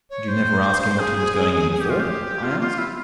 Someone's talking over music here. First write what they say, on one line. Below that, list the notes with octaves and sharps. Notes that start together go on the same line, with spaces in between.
"Did you never ask him what he was going in for?" I asked.
C#5
C5
G#4
G#4
G4
F4
G4
F4
F4
E4